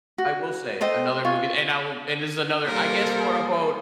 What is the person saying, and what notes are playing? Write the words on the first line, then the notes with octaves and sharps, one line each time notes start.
I will say another movie and I will and this is another, I guess, quote unquote,
F#4
A4 C5 D#5 G5
F4 G#5 C#6
G3 A#3 A4 A#4 C5